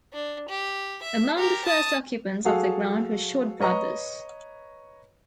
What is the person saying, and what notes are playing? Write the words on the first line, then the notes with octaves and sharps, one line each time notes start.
Among the first occupants of the ground were Short Brothers.
D4
G4
E5
G4 A#4
A5 D#6
F#3 F#4 G#4 A4 F5
B4 C#5 D#5 A#5 C#6